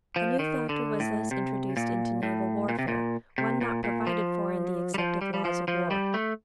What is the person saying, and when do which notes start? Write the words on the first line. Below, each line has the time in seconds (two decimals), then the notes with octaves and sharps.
A new factor was thus introduced into naval warfare, one not provided for in the accepted laws of war.
0.16 F3
0.39 D#3
0.69 D3
1.00 A2
1.31 C3
1.77 A#2
2.23 A2
2.69 A#2
2.79 C3
2.88 A#2
3.38 C3
3.61 A#2
3.84 A#2
4.07 F3
4.94 G3
4.98 F3
5.21 G3
5.34 G3
5.45 F3
5.68 F3
5.91 G3
6.14 A3